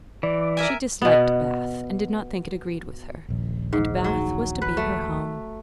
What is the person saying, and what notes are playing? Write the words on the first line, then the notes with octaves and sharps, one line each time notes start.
She disliked Bath, and did not think it agreed with her; and Bath was to be her home.
E3 D5
A#4 E5 G#5
B2 B3
D#1 A#1
G#2
F#3
B4
A3